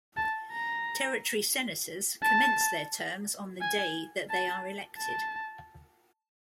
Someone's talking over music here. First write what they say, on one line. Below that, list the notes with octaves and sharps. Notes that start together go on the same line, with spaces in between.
Territory senators commence their terms on the day that they are elected.
A5
A#5
A5
G#5
A5
A5